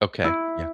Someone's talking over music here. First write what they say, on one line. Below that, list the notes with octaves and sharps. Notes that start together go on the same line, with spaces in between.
Okay, yeah.
E4